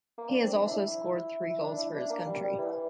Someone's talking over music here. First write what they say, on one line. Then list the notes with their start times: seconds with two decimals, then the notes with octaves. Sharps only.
He has also scored three goals for his country.
0.18 A#3
0.29 D4
0.42 C4
0.55 D4
0.66 E4
1.50 E4
1.62 D4
1.78 E4
1.94 D4
2.10 A#3
2.26 G3
2.43 G3
2.58 E3